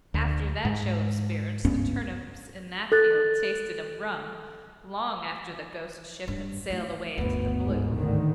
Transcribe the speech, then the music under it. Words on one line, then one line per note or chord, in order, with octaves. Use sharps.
After that show of spirits, the turnips in that field tasted of rum, long after the ghost ship had sailed away into the blue.
D2
G#2
C#2 G2 B3 C#4
A4 F#6 A6
G2
A3 E4
G1 D2 B3
G#2
A2 D3 D#3